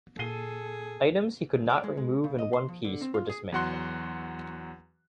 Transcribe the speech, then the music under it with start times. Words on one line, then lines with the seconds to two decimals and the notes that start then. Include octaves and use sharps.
Items he could not remove in one piece were dismantled.
0.19 A#2 G#4 A4 C7 D#7 G7
1.54 C2
1.70 D5
1.84 G#3
1.97 G#3
2.24 C#3
2.39 D#5
2.53 C6
2.69 F3
2.85 D3
3.01 C4
3.14 F4
3.30 G#4
3.52 E2 F#3 F#4 F#5 C6 F#6